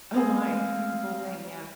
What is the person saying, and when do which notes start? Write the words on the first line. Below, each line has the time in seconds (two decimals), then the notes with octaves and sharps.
Oh my. The whole thing, yeah.
0.14 G#3 A3 C4 G#4 F5